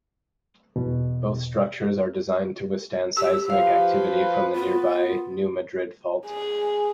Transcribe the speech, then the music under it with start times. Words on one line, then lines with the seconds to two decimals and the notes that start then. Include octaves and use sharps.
Both structures are designed to withstand seismic activity from the nearby New Madrid Fault.
0.76 E2 B2
3.17 G4 E6
3.50 F3 B4 F5
4.55 B3 F4
6.26 G#4